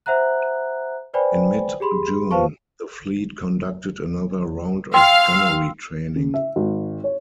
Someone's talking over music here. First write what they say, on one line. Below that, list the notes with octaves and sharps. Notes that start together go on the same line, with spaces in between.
In mid-June, the fleet conducted another round of gunnery training.
C5 E5 F#5 A#5 F#6
B4 C5 D5 G5 G#5 B5
G4 G#4 B5 C6
F4 B4 C5 F5 A5 C#6
F5 G5 C6 E6
C#3
E5
G#1
C#5